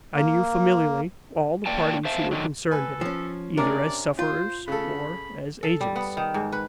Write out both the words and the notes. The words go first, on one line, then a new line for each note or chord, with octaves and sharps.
I knew familiarly all the parties who were concerned in it, either as sufferers or as agents.
A#3
A2 A#3 D5 G5 A5
C5 E5 F5 A5
D3 D#3 F#3
A4 B4 G#5
F3 C#4
C3 C#4 D4 A#4 D5
F4 C5
C#3 A4 B5
A4
G3
B3
D#3
G#2
B4